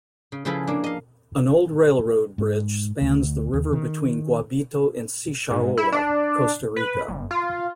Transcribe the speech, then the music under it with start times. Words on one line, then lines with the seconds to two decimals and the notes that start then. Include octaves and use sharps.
An old railroad bridge spans the river between Guabito and Sixaola, Costa Rica.
0.32 C#3
0.45 C#3 F3 E4 G#4 A4 B4
0.67 A#3 D4
0.84 D#5 F5
2.38 G#2
3.01 D2
3.53 D#2
3.73 D#3
5.51 G#2
5.77 E4
5.92 D4
6.76 B4
7.08 G1
7.31 F4